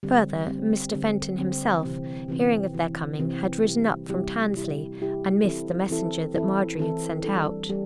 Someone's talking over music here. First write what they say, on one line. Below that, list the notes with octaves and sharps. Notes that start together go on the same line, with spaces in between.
Further, Mr. Fenton himself, hearing of their coming, had ridden up from Tansley, and missed the messenger that Marjorie had sent out.
D3 G3 C4
D3 G3 C4
D3 G3 C4
D3 G3 C4
C3 E3 C4
C3 E3 C4
C3 E3 C4
C3 E3 C4
C3 G3 E4 G4
C3 G3 E4 G4
C3 G3 E4 G4
C3 G3 E4 G4
E3 C4 E4 A4
E3 C4 E4 A4
E3 C4 E4 A4
E3 C4 E4 A4
G3 D4 A4
G3 A4